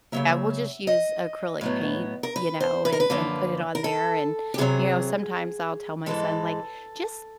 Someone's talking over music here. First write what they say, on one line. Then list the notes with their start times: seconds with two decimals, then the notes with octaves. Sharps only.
Yeah, we'll just use acrylic paint, you know, and and put it on there, and, you know, sometimes I'll tell my son, like, "Just
0.12 C#3 F#3 A#3 E5
0.87 D#5
1.61 A2 F#3 B3
2.23 A#4
2.36 B4
2.60 C5
2.85 B4
2.92 A#4
3.00 B4
3.10 F#2 D3 F3 A#3
3.75 A#4
3.84 A4
4.54 G4
4.58 E2 C3 D#3 F#3 G#4
6.06 G#2 E3 G#3 A4